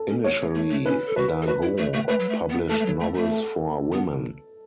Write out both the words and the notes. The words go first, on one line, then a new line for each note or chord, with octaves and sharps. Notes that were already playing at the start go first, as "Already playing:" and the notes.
Initially, Dargaud published novels for women.
Already playing: A4
C#4
B3 C#5
A3
A3
A3
C#4 B4
A4
F#4 B4
A4
F#4 B4
E4
A3
A3
A3 B4
F#3
A3
B3
A3 A4
A3
F#3
A3
A3
A4
B3